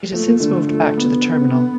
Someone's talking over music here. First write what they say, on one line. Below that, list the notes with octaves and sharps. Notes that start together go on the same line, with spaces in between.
It has since moved back to the Terminal.
F3 A3
F3
D3 A3
F3 A3
B3